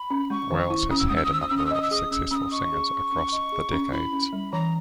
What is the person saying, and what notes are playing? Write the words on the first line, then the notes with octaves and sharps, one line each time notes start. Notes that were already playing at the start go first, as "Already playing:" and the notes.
Wales has had a number of successful singers across the decades.
Already playing: B5
C#4
G#3 C#6
D#3
E4
C#4 D#6
E6
G#3 D#6
E6
D#6
D#3 E6
D#6
C#4 E6
D#6
E6
D#5 D#6
E6
G#4 D#6
C#4 E6
C#4 D#6 E6
D#5 C#6
G#4
C#4
C#4
D#5
G#4
C#4
E4 B5
C#4
G3
E3 A#5